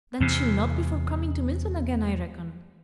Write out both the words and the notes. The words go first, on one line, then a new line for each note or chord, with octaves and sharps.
'Then she'll not be for coming to Milton again, I reckon.'
E2 C3